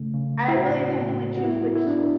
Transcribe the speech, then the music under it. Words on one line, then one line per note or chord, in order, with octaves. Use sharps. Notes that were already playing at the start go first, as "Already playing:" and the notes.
I really intentionally choose which
Already playing: C#3 A3
C#3
E4
A2 F#4
A2
F#4
B3 E4
F#4
E4
B3 D4